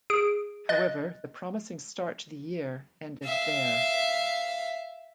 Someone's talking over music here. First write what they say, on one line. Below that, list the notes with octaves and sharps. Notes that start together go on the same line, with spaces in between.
However, the promising start to the year ended there.
G#4 D7
D#5 F#6 A6
E5 F5